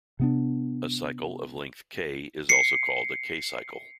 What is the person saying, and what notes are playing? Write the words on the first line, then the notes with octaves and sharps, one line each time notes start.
A cycle of length "k" is also called a "k"-cycle.
C3 B3 D4
C7 C#7